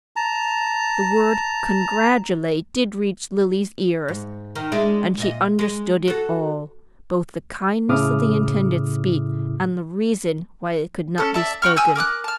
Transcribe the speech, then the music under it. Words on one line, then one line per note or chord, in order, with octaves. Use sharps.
The word "congratulate" did reach Lily's ears, and she understood it all;--both the kindness of the intended speech and the reason why it could not be spoken.
A5 A#5
G#2
D#3
G#3 D4 E4
A#2 D#5
G#3
F#4 A4
A2 C#3 E4 D6 D#6 F6
C#4 A4
D5 E5 A5
F#4 G5 C#6 F6
G#5 D#6 E6 G6
A#4 D6 E6 F#6
A5 F6